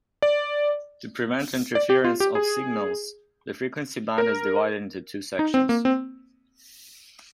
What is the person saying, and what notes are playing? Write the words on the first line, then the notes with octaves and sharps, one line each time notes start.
To prevent interference of signals, the frequency band is divided into two sections.
D5
D5
G4
F4
G4
G#4
A#4
D#4
C4
A#3
C4